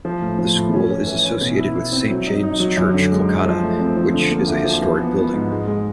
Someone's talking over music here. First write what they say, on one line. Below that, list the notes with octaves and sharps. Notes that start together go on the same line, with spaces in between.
The school is associated with Saint James' Church, Kolkata, which is a historic building.
F3
A2
F3
A2
C#4
C#4
E3
C#4
B2
E4
E4
C4
F#3
D#4
D#4
F#3
F#2
D3
G#3
G#3
F3
A3
C4
F3
D3
A#3
D2
F3
E3
B3
B3
G#2
G#3
G#3